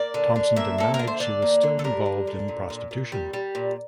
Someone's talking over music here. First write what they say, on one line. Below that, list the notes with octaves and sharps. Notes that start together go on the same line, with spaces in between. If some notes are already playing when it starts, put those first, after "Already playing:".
Thompson denied she was still involved in prostitution.
Already playing: A#3 D5
D3
D3
A#3 E5
A#3 A4
A#4
D3
C5
D3 D5
A#3
D3
A4
G3 A#4
D3
D3
A#2
A#2
A#2
G3
G3
A#2